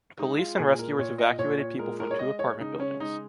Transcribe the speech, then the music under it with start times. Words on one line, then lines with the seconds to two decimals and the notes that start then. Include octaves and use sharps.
Police and rescuers evacuated people from two apartment buildings.
0.19 G#3 D#4
0.39 F4
0.58 A#2 G#4
0.79 A#4
0.98 A#2 C#5
1.18 D#5
1.39 A#2 C#5
1.59 C#5
1.79 G#3 A#4
2.00 A#4
2.11 C#5
2.19 G#3 D#5
2.39 C#5
2.59 C#3 D#4
2.80 C#4
3.00 G#3 D#4